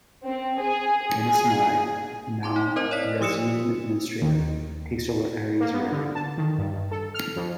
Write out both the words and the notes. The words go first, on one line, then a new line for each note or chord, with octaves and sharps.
Denys Nye, now Reseune Administrator, takes over Ari's rearing.
C4
G#4
G#4
A5 C6 D6
D#4
C4 A#4 C5 D#5
C#5 D5 B6
F3 G4 D#6 E6 C#7 E7
D#2
A#3
B3
D3
A5
D#3
G2
A4
F6
F2